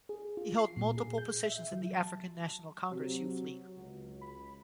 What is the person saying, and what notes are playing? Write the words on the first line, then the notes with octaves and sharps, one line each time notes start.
He held multiple positions in the African National Congress Youth League.
G#4
F4
C7
A#2
G#4
G6
E5
F#3
A5
C3 F#3
C#2
B5